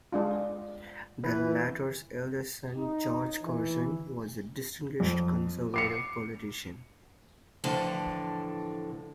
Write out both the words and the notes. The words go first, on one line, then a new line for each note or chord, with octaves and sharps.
The latter's eldest son George Curzon was a distinguished Conservative politician.
G#3 D4 F4
E3 B4
D#4
E3
F2
D6 C7 C#7
A2 D3 E3 F3 A5